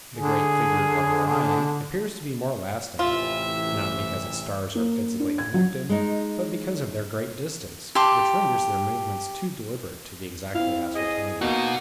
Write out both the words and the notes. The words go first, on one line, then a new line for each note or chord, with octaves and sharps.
The great figure of Orion appears to be more lasting, not because its stars are physically connected, but because of their great distance, which renders their movements too deliberate to be exactly ascertained.
D3 G#4
A1 C3 E3 F4 E5
A#3
D4
G#6
F#3
G#3 D#4
G4 A5 C6 D6
C4 E4 F5
G#4 D#5
A#3 B3 D#4 F#4